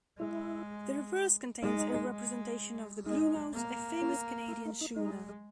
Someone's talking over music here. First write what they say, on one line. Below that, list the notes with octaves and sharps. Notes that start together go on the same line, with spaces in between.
The reverse contains a representation of the "Bluenose", a famous Canadian schooner.
G#3 E4
G#3 D#4
G#3
G#3 D#4
A#3
C#4
E4
D#4
D#4
G#3 D#4